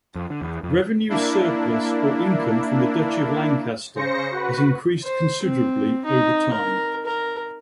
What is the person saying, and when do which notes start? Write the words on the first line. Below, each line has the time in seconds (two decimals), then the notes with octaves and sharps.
Revenue surplus or income from the Duchy of Lancaster has increased considerably over time.
0.15 F2
0.30 D3
0.41 E2
0.63 F2
1.09 A#3 D4 E4
3.95 C#3 C5 A#6 C#7
4.31 F#4 B4
5.03 C5
5.43 C4
6.05 D#4
6.53 A#4
7.05 A#4